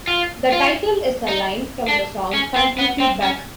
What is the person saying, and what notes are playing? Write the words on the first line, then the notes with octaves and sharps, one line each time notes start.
The title is a line from the song, Country Feedback.
F4
F4
D#4
D4
C#4
C4
B3
C4
C#4